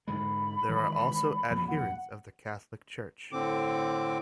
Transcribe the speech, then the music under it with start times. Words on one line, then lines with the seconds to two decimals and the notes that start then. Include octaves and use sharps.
There are also adherents of the Catholic Church.
0.08 G#2 D3 G#3 B5
0.69 D#3 E3 G#3
1.50 E2 A#2 F3
1.68 F#5
3.32 A2 D3 C4 D6